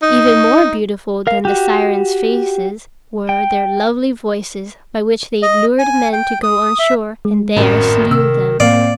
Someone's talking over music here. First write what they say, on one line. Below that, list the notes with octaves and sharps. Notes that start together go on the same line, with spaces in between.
Even more beautiful than the Sirens' faces were their lovely voices by which they lured men to go on shore and there slew them.
D#4
A#4 F5
F#4 G4
G5
D#5
G#5
G5
D#6
E5
G#3
G#1 F#2 A2 D#3
C3 E6
A2 A#3 C4 D5 F5